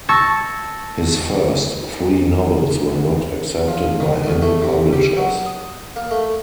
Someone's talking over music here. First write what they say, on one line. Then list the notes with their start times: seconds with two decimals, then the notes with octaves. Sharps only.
His first three novels were not accepted by any publishers.
0.09 A5 C#6 E6 G#6 A#6
3.68 F3
4.00 D#3
4.27 D2
4.42 A3
4.62 C3
4.93 G4
5.17 F#3
5.46 D#6
5.96 A#3
6.11 A3